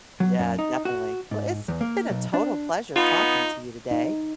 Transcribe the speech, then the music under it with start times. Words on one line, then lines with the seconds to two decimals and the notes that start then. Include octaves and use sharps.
Yeah, definitely. Well, it's been a total pleasure talking to you today,
0.20 F#3
0.39 F#2
0.59 D#4
0.85 F#4
1.31 G#2
1.68 E2
1.81 A#3
2.10 B1
2.34 D4
2.96 B3 D#4 F4
3.91 D#4